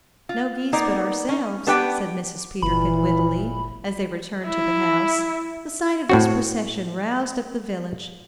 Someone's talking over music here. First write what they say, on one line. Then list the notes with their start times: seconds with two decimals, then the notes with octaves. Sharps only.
"No geese but ourselves," said Mrs. Peterkin, wittily, as they returned to the house. The sight of this procession roused up the village.
0.29 F4
0.73 A#3 B3 D#4 D5
1.29 C#4
1.67 B3 D4 G4 B4 G5
2.62 G1 A#2 E3 B5
4.47 E4
6.09 A2 C4 F#4